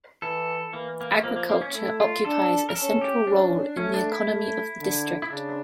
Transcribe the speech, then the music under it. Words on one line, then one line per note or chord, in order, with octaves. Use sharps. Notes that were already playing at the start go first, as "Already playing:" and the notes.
Agriculture occupies a central role in the economy of the district.
E3 A4
E3 A#3
A#3
F3 A#3
A#3
A#3
C#4
A3 E4
F4
D4 A4
A#4
C#4 A4
G4
C#4 D4
A3 C#4
D4
E4
A3
D3
E4
C#3 D4